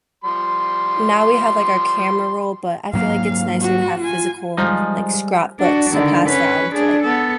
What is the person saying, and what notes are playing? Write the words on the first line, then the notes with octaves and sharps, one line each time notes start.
now we have, like, our camera roll, but I feel like it's nicer to have physical, like, scrapbooks to pass down to, like,
F3 G3 C6
G#2 F#3 A#3 F5
F#4
F4 G#5
F3 G3 G#3 D#4 D#5
D4 F#4
D3 D#3
C#4 B4
D4 G#4
B3 A4